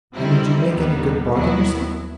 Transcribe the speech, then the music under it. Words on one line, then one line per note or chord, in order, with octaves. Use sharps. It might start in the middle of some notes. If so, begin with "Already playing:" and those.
'And did you make any good bargain yourself?'
E2 D#3 G3 C4 E4
D#2 D#3 G3 B3
D#2 D#3 F#3 B3 E4